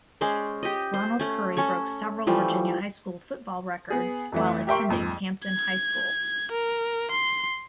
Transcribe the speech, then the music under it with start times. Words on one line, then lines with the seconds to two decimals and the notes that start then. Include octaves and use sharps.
Ronald Curry broke several Virginia high school football records while attending Hampton High School.
0.21 G#3 C#4 C5 D5
0.63 G4 D#5
0.94 C5
1.19 A3 C#4
1.57 C#4 A4 C#5
2.27 E3 F3 G3 A3
3.90 B3 G#4
4.32 F2 E3 A3
4.67 G4 A#4 E5 G5 C6 C#6
4.88 A#1 F2 G#2
5.47 G#6
6.52 A#4
7.11 C6